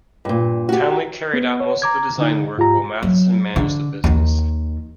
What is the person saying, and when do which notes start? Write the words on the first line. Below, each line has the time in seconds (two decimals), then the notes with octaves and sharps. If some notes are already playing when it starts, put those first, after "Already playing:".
Townley carried out most of the design work while Matheson managed the business.
0.25 G2 A#2
0.69 F#4 G4
1.33 B3
1.60 C#5
1.82 A#5 D6 G#6
2.18 D3 D#4
2.57 G#2 F4 G4 A#5
3.03 F#3
3.56 D3
4.04 D#2 D#3